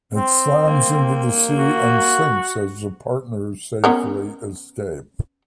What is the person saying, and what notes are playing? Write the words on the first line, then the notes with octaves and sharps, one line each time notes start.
It slams into the sea and sinks as the partners safely escape.
C4
A#3
F#4
B3 C#4 A#4